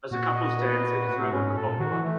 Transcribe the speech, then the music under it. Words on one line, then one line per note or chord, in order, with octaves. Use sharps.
As a couple's dance, it is no longer popular.
A#2 F#4
D#5
B4
F#4
A2 F#4
G#2 C#4
A2 A4
A#2
D#3 F#4
E3
E3 A3